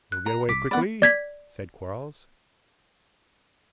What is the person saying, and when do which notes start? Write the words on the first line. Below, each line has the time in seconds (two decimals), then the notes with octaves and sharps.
"We'll get away quickly," said Quarles.
0.12 F#6
0.26 A#5
0.49 C2 D6 B6
0.71 B3 D5 F#5 B5
1.02 D5 G#6 B6